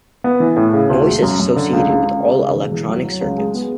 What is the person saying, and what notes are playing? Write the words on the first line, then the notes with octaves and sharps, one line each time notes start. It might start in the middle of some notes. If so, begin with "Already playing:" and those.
Noise is associated with all electronic circuits.
B3
E3
A2
C#3
D2
E1
F#2
F#2
D3
C#2
C#2
C#2
G#3
C#3
E1
E2
F#3
F#3
C#2
G#3
B3